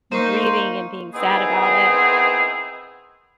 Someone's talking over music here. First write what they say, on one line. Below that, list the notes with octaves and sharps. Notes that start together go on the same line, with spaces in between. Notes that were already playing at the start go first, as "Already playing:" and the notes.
grieving and being sad about it,
A#3 D#4 A#4 C5 C#6
D#3 B3 C4 D#4 E4 G#4